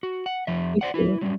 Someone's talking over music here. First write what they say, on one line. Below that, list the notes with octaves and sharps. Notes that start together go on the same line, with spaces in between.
me too.
F#4
F#5
F2 F3 E5
C5 D5 F#5
E4 B4
F#3 G3 C#4